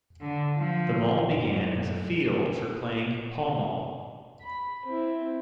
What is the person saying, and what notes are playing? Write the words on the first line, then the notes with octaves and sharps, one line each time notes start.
The Mall began as a field for playing pall-mall.
D3
F3
F#2
B5
C4 E4